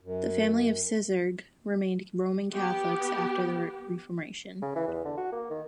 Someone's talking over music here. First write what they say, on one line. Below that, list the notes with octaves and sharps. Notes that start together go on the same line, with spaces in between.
The family at Sizergh remained Roman Catholics after the Reformation.
F#2
B3 G4
C#3
E3
E2
D3
F#4
A#3
D#3